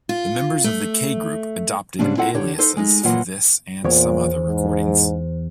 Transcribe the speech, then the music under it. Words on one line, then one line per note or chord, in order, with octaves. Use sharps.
The members of the K Group adopted aliases for this and some other recordings.
F4
A3
G#2 C#3 G3 G#3 C4 D4
C4 E4 F4 A4 F#5
D3 G4 C#5
D#4 A4 C5
G#3 D#4
A#2 E3 F#3 F4 F#5
E2 A#2 C5 C#5
G#2